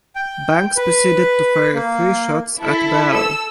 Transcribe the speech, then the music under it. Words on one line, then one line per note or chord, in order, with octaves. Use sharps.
Banks proceeded to fire three shots at Bell.
G5
B4
A#3
E4 A4
A4 E6